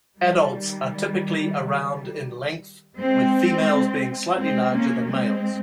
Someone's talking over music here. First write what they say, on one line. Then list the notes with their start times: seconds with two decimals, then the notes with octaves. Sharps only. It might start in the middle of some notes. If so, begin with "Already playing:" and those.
Adults are typically around in length, with females being slightly larger than males.
0.20 D#3 G3
2.98 G#3 C4
4.39 G#3 C4
4.74 A#3 C#4
5.08 G#3 C4